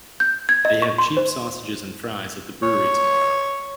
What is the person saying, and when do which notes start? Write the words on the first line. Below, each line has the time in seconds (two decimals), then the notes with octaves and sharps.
They have cheap sausages and fries at the brewery tomorrow.
0.20 G6
0.49 G#6
0.65 D#5
0.82 C#6
0.98 C6
1.17 C5
2.63 C#5